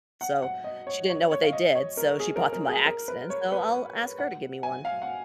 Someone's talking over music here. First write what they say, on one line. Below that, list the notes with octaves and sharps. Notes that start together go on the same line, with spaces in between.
so, she didn't know what they did, so she bought them by accident. So I'll ask her to give me one.
F#5
F#5
D#5
C#5
C#5
C#5
F5
D#5
C#5
A#4
G#4
A#4
A#4
G#4
A#4
B4
C#5
B4
F#5
G#5
F5
F#5